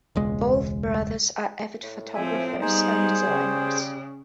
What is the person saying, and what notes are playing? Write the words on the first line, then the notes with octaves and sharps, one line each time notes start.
Both brothers are avid photographers and designers.
E1 C#2 G#3
A2
F3 C4 E5 G#5
G3 B3 D#4 G#4 C5
C#3 G3